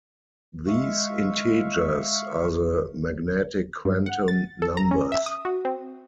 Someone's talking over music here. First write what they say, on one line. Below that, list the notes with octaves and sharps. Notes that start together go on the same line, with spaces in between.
These integers are the magnetic quantum numbers.
G#3 E5 F5 C#6
G2
F#5
A6
A4
A#5
C#4
E5
D#6
F#4
C4